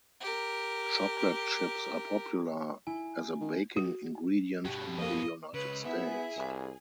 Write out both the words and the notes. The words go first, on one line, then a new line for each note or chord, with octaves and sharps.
Chocolate chips are popular as a baking ingredient in the United States.
G4 A#4
E4 G#5
D#3
F#4
G2 B2 G4 F#5
F2 A#3 D#5
C#2 C#3 B4
B3 E4 G#4 E5
C2